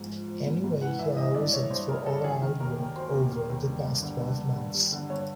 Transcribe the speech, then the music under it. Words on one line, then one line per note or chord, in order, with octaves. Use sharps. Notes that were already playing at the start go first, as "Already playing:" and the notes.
Anyway here are results of our hard work over the past twelve months.
Already playing: G#2 F3
F3
F3
G#2
G#2
E3 F#5
E3 E5
E3 D#5
G2 D5
G2 C#5
G2 C5
G3 A#4
G2 A4
D#3 G#4
D#3 A#4
D#2 A#4
D#2
F#3 C5
D#2
D#2
D#2
G2
G2
D3
G2
G2
G2
G3
D3
G2 C#5